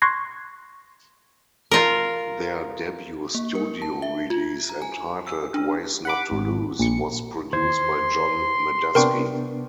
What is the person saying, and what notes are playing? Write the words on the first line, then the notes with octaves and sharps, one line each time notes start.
Their debut studio release, entitled "Ways Not to Lose", was produced by John Medeski.
C6 C#6 F#6 G#6 A#6 C7
F4 A#4
A#3
A#4
A5
E5
F4
A#5
G#5
E6
D4
F#5 B5 D6
G#1
A#1 C#7
D#2 C5 C6 G#6
C3 B3 D4 A#4 G5 C#6